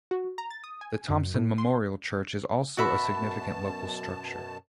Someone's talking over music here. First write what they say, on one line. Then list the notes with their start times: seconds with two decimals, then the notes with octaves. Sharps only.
The Thomson Memorial church is also a significant local structure.
0.11 F#4
0.38 A#5
0.50 A6
0.64 D#6
0.81 G#5
1.10 F#2
1.34 A2
1.58 C6
2.77 F#2 B2 F#4 E5 A5 B5